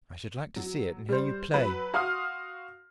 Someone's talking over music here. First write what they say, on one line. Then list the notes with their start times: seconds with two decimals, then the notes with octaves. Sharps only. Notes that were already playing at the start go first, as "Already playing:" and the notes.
"I should like to see it, and hear you play."
0.56 F#3
1.09 G3 C5
1.54 F#3 B4
1.94 F#4 F5 C6 D#6 F6